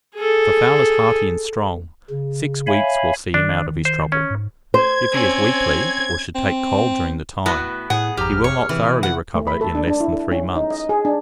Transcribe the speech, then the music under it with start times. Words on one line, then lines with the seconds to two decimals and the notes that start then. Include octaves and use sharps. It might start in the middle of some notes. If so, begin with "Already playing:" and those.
If a fowl is hearty and strong, six weeks will see him out of his trouble; if he is weakly, or should take cold during the time, he will not thoroughly recover in less than three months.
0.16 G#4 A4
2.10 C#3
2.67 C#5 E5 F5 G#5 B5
3.34 D#3 D4
3.85 C5
4.12 C#4
4.30 G#2
4.74 C5 G#6
5.12 C4 C#4
6.35 C4
7.46 A2 B3 F#4
7.90 A2 G#4 F#5
8.17 G#1 F2 G4 A#5 F6
8.44 C#5
8.69 C3 E3 B4
9.03 F#5
9.35 A3
9.47 B5
9.61 A4
9.75 D4
9.88 D4
10.01 E4
10.13 A4
10.31 C#4
10.55 D#4
10.71 D#5
10.89 G#4
11.05 D4